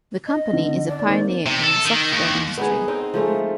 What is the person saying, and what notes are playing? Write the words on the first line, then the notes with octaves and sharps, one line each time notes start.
The company is a pioneer in the software industry.
D#5
D3
D5
D#3 A#3 C4 D5
C3
A4
D#3
D#2
B3 D#4 G#4
C4 D#4 C5
F3 G#3 A3 D#4